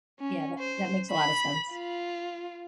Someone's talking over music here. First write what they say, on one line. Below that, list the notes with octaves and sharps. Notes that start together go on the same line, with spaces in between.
yeah, that that makes a lotta sense.
C#4
C5
B5
F4